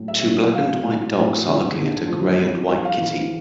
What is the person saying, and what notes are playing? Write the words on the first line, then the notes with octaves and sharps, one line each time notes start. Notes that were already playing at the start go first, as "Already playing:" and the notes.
Two black and white dogs are looking at a gray and white kitty.
Already playing: A2 F#3
E5
F#3
A2 F5
A2
A2
D3
D3
F3
G3
G3
F5
E3